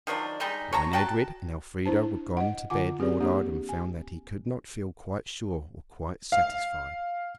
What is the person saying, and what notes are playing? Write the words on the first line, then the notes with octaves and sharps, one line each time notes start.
But when Edred and Elfrida were gone to bed Lord Arden found that he could not feel quite sure or quite satisfied.
D#3 F3 F#3 D4
D#3 G3 G#3 D#4
C#5 A5 A#5
F#4 G5 A5
D4 E4 C5 A5
D#5 F#5
D3 F4 F#5 G#5 D6
C4 G4 G#4 B4 D5
A#3 D4 G4
G#5
F5